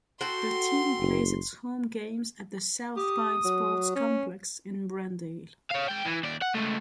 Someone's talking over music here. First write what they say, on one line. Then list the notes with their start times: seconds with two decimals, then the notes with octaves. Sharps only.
The team plays its home games at the South Pine Sports Complex in Brendale.
0.21 F#4 A4 G5 C6
1.00 F#1
2.97 G4 D#6
3.45 F#3
3.95 C#4
5.71 C#5 F5
5.88 G#3 G5
6.05 E3
6.23 D#2 D5
6.42 F#5
6.55 C#2 A3